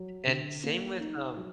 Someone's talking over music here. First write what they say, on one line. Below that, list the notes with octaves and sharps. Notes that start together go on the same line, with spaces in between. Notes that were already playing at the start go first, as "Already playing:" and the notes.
And same with, um,
Already playing: F#3
D3
A#3
D#4
F#3